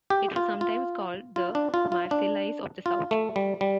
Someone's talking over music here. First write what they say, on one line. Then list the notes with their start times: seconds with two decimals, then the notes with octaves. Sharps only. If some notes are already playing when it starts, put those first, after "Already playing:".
It was sometimes called "the Marseillaise of the South".
0.10 G4
0.36 F4
0.61 F4
1.36 F4
1.55 D4
1.74 F4
1.92 F4
2.11 D4
2.86 F4
3.11 A3
3.36 G3
3.61 G3